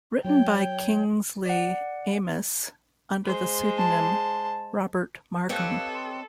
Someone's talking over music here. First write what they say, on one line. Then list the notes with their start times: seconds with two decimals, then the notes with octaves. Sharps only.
Written by Kingsley Amis under the pseudonym Robert Markham.
0.25 F#3 C#5 G5
1.45 D5 F#5
3.25 G#3 C5
3.77 A5
5.49 C4 G4 A4 B4 C#5 D#5 F5
5.94 C6